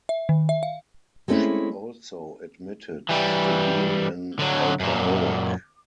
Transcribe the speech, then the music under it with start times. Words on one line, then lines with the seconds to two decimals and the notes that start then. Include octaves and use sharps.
She also admitted to being an alcoholic.
0.09 E5
0.29 D#3
0.49 E5
0.63 F5
1.28 G#3 A3 C4 C#4 E4
3.09 E3 G3
4.39 D3 F#3
4.80 F#2 A#2